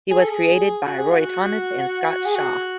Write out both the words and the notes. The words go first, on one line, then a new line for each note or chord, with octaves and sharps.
He was created by Roy Thomas and Scott Shaw.
G#4
A4
G#4
F#4
G#4
F#4
G#4
F#4